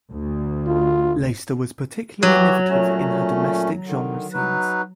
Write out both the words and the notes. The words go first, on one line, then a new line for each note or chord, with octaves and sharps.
Leyster was particularly innovative in her domestic genre scenes.
D2
F4
E3 F#3 F#4 G4
A#2 A3 C#4
D3 D#3
F#3 D#4 B4